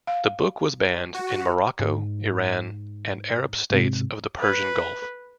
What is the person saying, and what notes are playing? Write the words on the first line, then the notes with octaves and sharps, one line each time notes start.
The book was banned in Morocco, Iran, and Arab states of the Persian Gulf.
F5
F#4
G#2
G#2 C3
B4